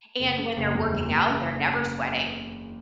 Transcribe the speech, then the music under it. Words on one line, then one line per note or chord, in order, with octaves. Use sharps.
and when they're working out, they're never sweating.
F#1
C#3
F#1
E2
E2
E2
C#3